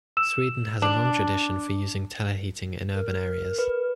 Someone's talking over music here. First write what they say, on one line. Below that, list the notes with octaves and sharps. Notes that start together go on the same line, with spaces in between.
Sweden has a long tradition for using teleheating in urban areas.
E6 E7
D4
A#4
B4